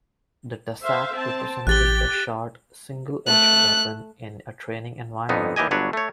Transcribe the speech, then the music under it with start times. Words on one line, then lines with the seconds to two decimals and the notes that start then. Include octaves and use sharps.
The dussack represented a short, single-edged weapon in a training environment.
0.83 C5 E5 F5
1.13 C4 A5
1.67 A1 G4 F#6 A6 G7
3.27 A3 F#6
5.29 F2 D3 B3 D#4
5.56 D#2 E3 G4 D#5 G#5
5.71 G1 F#3 D4 B4 C#5
5.93 A3 C#5